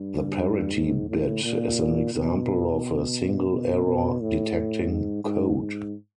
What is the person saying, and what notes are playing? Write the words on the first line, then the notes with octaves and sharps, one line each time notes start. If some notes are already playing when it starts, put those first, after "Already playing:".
The parity bit is an example of a single-error-detecting code.
Already playing: G2
G#2
A2
A#2
B2
B2
B2
A2
G#2
G#2
G#2